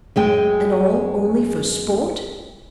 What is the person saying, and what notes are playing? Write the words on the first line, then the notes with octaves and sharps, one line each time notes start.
And all only for sport?
F#2 G#3 G5